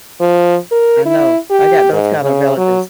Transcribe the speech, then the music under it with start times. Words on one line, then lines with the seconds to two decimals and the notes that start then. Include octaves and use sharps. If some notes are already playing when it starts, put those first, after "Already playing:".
I know. I got those kind of relatives
0.20 F3
0.71 A#4
1.06 E4
1.50 G4
1.92 G#2
2.23 C#3
2.57 F#3